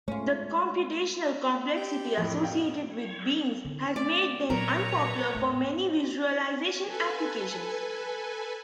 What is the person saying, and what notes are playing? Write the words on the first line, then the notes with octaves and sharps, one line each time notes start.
The computational complexity associated with beams has made them unpopular for many visualization applications.
G#3 A3 C#4 F4
G4
F2 A2
B2 F5 G5
D3 D#3
A3 D5
A#2 F#3 A#4 B4 C#5 A#5
E2 A2 A3
A4 B4 G#5